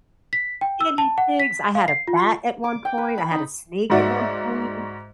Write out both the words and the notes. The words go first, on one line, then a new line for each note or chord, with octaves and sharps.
guinea pigs. I had a bat at one point, I had a snake at one point
B6
G5
E6
A5
F#5
B6
F5
C7
F4
D6
G5
B4
B5
D#4
G#2 D#4 F#4 D5 E5